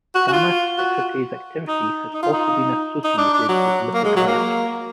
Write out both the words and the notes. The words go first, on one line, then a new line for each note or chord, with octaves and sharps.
Gamma secretase activity has also been associated with lipid rafts.
F#4
F#4
F4
F#4
D#4
D#4
F4
D#4
D#4
D4
D4
F#3
A#3
G#3
F#3
A#3